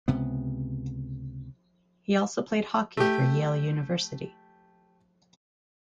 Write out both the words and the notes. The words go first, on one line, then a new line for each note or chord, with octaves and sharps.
He also played hockey for Yale University.
C#2 C3 B3
A3 G4